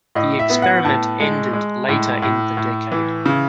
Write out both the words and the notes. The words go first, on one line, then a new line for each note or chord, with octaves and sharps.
The experiment ended later in the decade.
A2 D#5
E5
B3
F#5
A2 A5
G#3
G#3
A2
A2
A2
E3
C#3